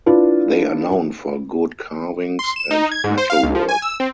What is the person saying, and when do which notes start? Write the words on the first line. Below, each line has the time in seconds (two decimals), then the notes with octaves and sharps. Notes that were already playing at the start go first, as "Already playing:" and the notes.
They are known for good carvings and metalwork.
0.06 D4 E4 F4 B4
2.39 C6
2.56 E7
2.71 D#4
2.92 G#6
3.04 G#2
3.18 C5
3.30 F5
3.43 C#2
3.55 F3
3.69 G#5
3.82 E6
4.00 C4